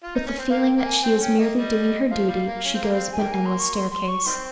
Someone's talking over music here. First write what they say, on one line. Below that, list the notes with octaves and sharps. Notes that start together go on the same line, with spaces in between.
"With the feeling that she is merely doing her duty, she goes up an endless staircase."
F4
D#4
C#4
C4
A#3 F5
G5
A#3
G#5
C4 G5
C#4 G5
A#3 D#5
G3
F3 F5
G3
A#3
C#4
C4
A#3
C4
G#5
D#3 G3 A#3 G5
G#5
C6
C#6
C6
C6
C#6
D#3 G3 C4 C6